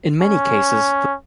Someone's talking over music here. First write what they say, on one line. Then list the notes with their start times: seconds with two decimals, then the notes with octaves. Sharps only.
In many cases, the songwriters were also the performers.
0.21 C#4